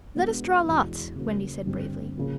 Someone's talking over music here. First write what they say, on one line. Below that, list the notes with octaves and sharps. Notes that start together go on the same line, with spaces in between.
"Let us draw lots," Wendy said bravely.
B2 G#3 B3 D4
E2 B2 G#3
C#3 F#3 A#3 C#4
G2 D3 G3 C4
C#3 F3 A#3